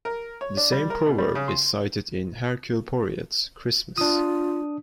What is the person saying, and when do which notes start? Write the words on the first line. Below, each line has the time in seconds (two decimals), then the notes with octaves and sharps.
The same proverb is cited in "Hercule Poirot's Christmas".
0.05 A#4
0.41 C#5
0.57 D4
0.72 G3
0.90 A#4
1.06 B2
1.18 G3
1.35 C#3
1.48 C6
3.98 D4 F4 D#6